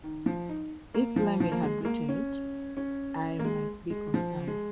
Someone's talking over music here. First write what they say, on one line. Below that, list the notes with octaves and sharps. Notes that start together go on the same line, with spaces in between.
If Lemmy had written it, I might be concerned.
D#3
F3
D#4
A#3
F3
F3
A#3
G#3
G#3
A#3
C#4
C#4
A#3
G#3
G#3
F3
G#3